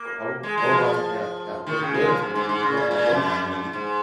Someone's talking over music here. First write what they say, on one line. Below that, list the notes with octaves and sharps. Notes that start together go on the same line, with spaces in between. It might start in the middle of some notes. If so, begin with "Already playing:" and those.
Uh, I wol I would watch the Katt Katt l Williams interview, he had Katt Williams on there recently.
Already playing: A#3
G#3
G#3
F3
D#3
C#3
G#3
F3
G#2
G#2
G#2
C#3
A#2
A#2
F2
G#2